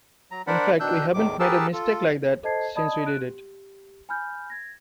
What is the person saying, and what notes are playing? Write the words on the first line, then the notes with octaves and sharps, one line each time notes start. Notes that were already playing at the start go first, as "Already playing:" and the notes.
In fact, we haven't made a mistake like that since we did it.
F#3 A#5
D4 A#4 C5 D5 F#5 B5
B2 D#3 D4 E6 F#6 G6
E2 A2 D#3 D6
G4 G#4 A#4 B4 A5 E6
F4 A4
A4 C5 D#5 A5 G#6 C7
D5 D#5 A5 B5 D#6 G#6
F#6 D7
G4
G#5 B5 F6 G6
G#6 A#6